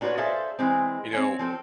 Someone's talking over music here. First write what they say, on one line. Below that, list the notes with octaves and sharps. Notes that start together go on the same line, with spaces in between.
You know
A#2 D4 F#4 B4 C#5
G#4 A4 C5 E5 F5
E3 G#3 C4
C4 C#5 G#5
F3 C4 A4